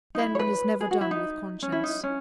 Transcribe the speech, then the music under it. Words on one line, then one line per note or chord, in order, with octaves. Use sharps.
Then, one is never done with conscience.
D#4
E4
C#5
B4
G#4
F#4
E4
D#4
C#4
E4
D#4
C#4